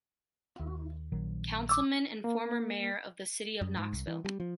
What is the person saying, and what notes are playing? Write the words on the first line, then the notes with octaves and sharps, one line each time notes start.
Councilman and former mayor of the city of Knoxville.
D#2
A#1 D#3 F#3
D6 E6
A#3
F#2
G#2
C2
E3
G3
F3